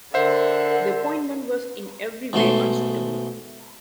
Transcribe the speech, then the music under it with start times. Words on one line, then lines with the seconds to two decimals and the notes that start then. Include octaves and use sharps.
The appointment was in every way unsuitable.
0.14 D3 A#4 C5 E5 F#5
2.33 G#2 B2 A3 C6